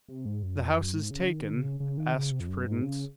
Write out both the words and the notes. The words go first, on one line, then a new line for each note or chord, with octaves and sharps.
"The house is taken?" asked Prudence.
C3
G#2
F#2
F2
F#2
G#2
C#3
D#3
C#3
C#3
D#3
C#3
C3
F2
F#2
G#2
C#3